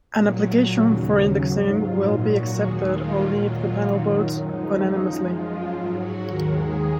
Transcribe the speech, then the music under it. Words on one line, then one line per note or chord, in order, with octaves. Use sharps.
An application for indexing will be accepted only if the panel votes unanimously.
A#2 F#3
D#2 C#3 F#3
G#2 F#3
F4
A#2 F#3 D#4
F#4
D#2 D#3 G#3 G#4
F4
A#2 F#3
F4
F#2 D#3 F#3 F#4
F#2 F3 G#3 D#4
F#2 F3 G#3
F4
G#2 F#3
F#4
D#2 D#3 G#3 A#4
G#4